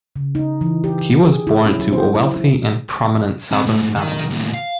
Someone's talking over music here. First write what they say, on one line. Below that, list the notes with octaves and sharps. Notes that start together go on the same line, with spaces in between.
He was born to a wealthy and prominent Southern family.
C#3
D#4
E3
G4
G#4
E4
C#4
F#3
C5
E4
E4
C4 B5
G#2 A3
D#3
D#2 A2
F5